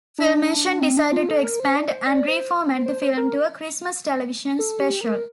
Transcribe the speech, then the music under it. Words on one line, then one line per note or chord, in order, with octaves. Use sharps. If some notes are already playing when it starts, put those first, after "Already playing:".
Filmation decided to expand and reformat the film to a Christmas television special.
D4
C4
D4
F4
A4
A#4
C5
D5
C5
D5
C5
C5
C5
C5
A#4
A4
G4
A#4